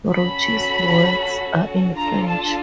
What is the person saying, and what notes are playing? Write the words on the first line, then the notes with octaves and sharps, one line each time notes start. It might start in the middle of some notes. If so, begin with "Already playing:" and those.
Roche's works are in French.
C#4 F#4 A4 B5
D4 F4 A4 A#5
A5